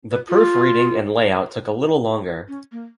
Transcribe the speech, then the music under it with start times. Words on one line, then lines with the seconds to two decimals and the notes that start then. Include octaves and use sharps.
The proofreading and layout took a little longer.
0.11 B4
0.29 F4
2.48 C#4
2.72 A#3